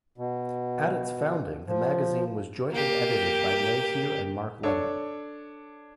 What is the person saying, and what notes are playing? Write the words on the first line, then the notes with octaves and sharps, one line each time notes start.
At its founding the magazine was jointly edited by Mayhew and Mark Lemon.
B2
F3
A#3 G4
D4 A4 C#5